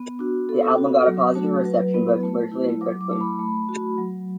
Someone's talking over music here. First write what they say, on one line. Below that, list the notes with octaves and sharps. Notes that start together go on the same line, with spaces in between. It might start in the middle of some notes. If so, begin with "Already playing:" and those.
The album got a positive reception, both commercially and critically.
Already playing: B3
D4 F#4
B3 A4
F#4
F#3
A3 D4 F#4
F#3 B4
B3 E4
A3
E4
F#3 D6
D6
A3 E4
B5
A3
F#4
F#3